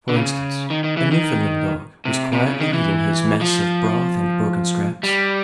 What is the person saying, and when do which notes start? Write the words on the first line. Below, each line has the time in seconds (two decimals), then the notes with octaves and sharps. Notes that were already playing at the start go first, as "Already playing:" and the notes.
For instance, a Newfoundland dog was quietly eating his mess of broth and broken scraps.
0.09 D3
0.16 C#3
0.70 D#3
0.84 D#3
0.97 E3
1.11 D#3
2.05 C3
2.33 C3
2.46 C#3
2.60 D#3
2.73 E3
3.41 F3
5.03 G3